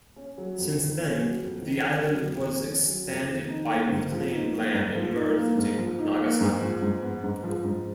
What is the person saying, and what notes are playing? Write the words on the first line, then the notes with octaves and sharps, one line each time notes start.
Since then, the island was expanded by reclaimed land and merged into Nagasaki.
C#4
F#3
F2
D#3
C#4
F#3
F2
D#3
C#4
F#3
F2
D#3
C#4
F#3
F2
D#3
D#4
A#3
G#2
F3
D#4
A#3
G#2
F3
D#4
A#3
G#2
F3
D#4
A#3
G#2
F3
G#2
B3
G#2
F3
G#2